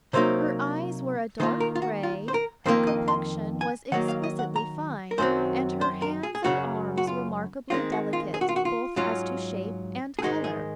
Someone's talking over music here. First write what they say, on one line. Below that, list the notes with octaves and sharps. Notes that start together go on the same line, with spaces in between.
Her eyes were a dark grey, her complexion was exquisitely fine, and her hands and arms remarkably delicate, both as to shape and colour.
C3 F#3 A#3 D#4 C5
D#3 A#3 F4 C5
A#4
F4
F#4
F4
C5
A#4
F2 D#3 A#3 F4 C5
D#5
C6
G#5
D#3 F#3 A#3 F#5
F5
D#5
F#5
A#5
A#4
F#2 D#3 F#3 C4 C5
C5
A#4
G#4
G#4
F#2 C#3 F#3 F#4
F#4
F4
D#3 G#3 C4 F4
F#4
F4
G#4
F#4
F4
F#4
F4
G#2 F#3 C#4 F4
G#4
G#2 D#3 G#3 D#4 F#4
G#4